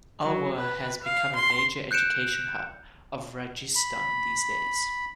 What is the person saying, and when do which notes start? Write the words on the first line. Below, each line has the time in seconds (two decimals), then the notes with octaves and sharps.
Alwar has become a major education hub of Rajasthan these days.
0.23 F#3
0.58 B4
1.03 F5
1.35 C6
1.91 F#6 G6 C#7 D7 E7
3.76 B5